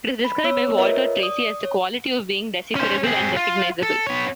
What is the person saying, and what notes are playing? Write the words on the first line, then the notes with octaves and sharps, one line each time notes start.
It is described by Walter Tracy as "the quality of being decipherable and recognisable".
B5
B3 C#5 E6
F4 A#4 B4 C#5 D#5 E5
D5 D#6
C#5
C#4 C5
C4 G#4
F4
A4
B3 C#5